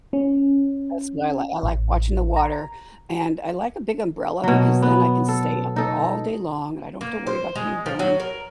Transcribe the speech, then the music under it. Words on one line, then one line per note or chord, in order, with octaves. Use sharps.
That's what I like I like watching the water, and I like a big umbrella, because then I can stay out there all day long and I don't have to worry about getting burned,
C#4
A1
A#5
B2 F#3
B3
A4
D#4 A4
A#3
C5
G#3
F3
F#3
A#4